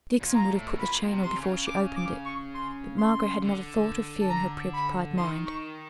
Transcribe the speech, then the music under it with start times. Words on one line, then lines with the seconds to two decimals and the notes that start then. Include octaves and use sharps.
Dixon would have put the chain on before she opened it, but Margaret had not a thought of fear in her pre-occupied mind.
0.21 A#2
0.35 A#5
0.50 A2
0.74 B2
0.79 A#2 B5
1.08 C3
1.23 C6
1.37 C#3
1.67 D6
1.96 D6
2.25 C#6
2.55 C6
2.98 C6
3.43 D3
4.21 A5
4.29 A#5
4.73 B5
5.17 D#3 C6
5.46 C#6